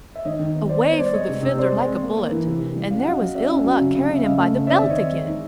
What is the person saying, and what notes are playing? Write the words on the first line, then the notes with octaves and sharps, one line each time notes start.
Away flew the Fiddler like a bullet, and there was Ill-Luck carrying him by the belt again.
E5
D#3 C#5 D#5
D#3
B3
B3 C5 D5
B3 C#5
G3 C5 D5
G#3 C#5 D#5
C3
C3
C4 C5 D5
G#3
C4
A#3
A#3
E3
C3
E3
G3
C#4 F5
F#5
F#3 D#5 F5
F#3
C#4 D5 E5
C#4
F#3
C#3
C#3
C#3
E5
C#3 D#5 F5
A3
C#3
C4 D5 E5
D#3 E5
C#5 D#5
C4
G#3
D#4